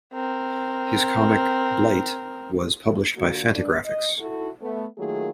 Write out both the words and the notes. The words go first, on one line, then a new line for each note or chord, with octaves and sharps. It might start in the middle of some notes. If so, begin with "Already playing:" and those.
His comic "Blite" was published by Fantagraphics.
C4 A#4
D3 A#3 F4 F#4
G2 D3 G#3 D4
D#5
E4 F#4 A4
A3 B3
D#3 F#3 A3 A#3 F4 G#4